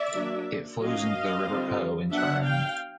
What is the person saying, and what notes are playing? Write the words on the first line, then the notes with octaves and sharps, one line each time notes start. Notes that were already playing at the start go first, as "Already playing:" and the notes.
It flows into the river Po in Turin.
Already playing: D5 E5
F#3 A#3 D4
F#3 A#3 C#4 D#5 F5
D3 G3 C4 F4
F#3 B3 D4 E5 F#5
F5 G5